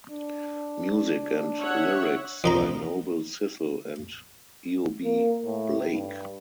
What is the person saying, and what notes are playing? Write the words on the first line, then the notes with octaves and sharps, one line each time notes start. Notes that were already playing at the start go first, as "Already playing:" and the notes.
Music and lyrics by Noble Sissle and Eubie Blake.
D4
C#5 E5 F#5
F2 D#4 A#5
A#3
A2
G2